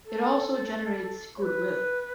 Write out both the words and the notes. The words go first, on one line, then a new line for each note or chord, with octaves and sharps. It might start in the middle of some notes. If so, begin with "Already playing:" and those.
It also generates good will.
A4
C#5
B4